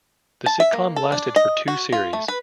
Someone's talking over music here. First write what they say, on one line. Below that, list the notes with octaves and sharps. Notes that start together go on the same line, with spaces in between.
The sitcom lasted for two series.
A5
E5
A#3
A4
D4
D#5
F#4
F4
A3
B4